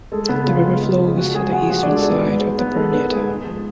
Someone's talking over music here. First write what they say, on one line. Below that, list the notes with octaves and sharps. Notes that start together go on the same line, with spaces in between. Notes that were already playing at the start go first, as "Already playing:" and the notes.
The river flows to the eastern side of the Purnia town.
G#3 A4
C#3 B3 B4
C#3 F4 F5
G#3
C#2
C#3
F3 F#4 F#5
G#3 G#4 G#5
F3 F#4 F#5
F3 F#4 F#5
D4 D5
G#3
A4
G#2 B3 B4
G#2
G#3
B3
G#3 A4
B3 B4
G#2 G#4
G#2
F3